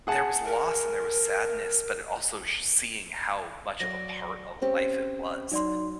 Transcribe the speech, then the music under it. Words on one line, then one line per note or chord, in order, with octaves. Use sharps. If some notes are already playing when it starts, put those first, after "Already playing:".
there was loss and there was sadness, but it also sh seeing how much of a part of life it was
G#4 F#5 A5
A#4
F#3 D5 A#6
C4 C#4 G4
F#3 D#4 D5 C6